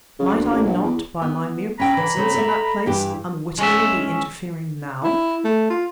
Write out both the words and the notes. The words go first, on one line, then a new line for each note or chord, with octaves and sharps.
Might I not, by my mere presence in that place, unwittingly be interfering now?
C#3
D2
A1
A#1
E2
B3
C#4 G5 A#5 B5
E3
C#3 C4 A4
A4 D5 E5
G2 E3 G4
G#3 C#4 E5
E4
A3
F4